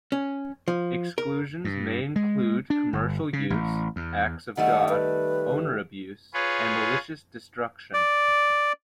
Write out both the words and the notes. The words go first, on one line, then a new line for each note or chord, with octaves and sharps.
Exclusions may include commercial use, "acts of God", owner abuse, and malicious destruction.
C#4
F3
A#4
G2
G#3
D4
G1
C#3
A1
E2
D#3 G3 A3 F#5
B4
F4 G#4 B4 C#5
D5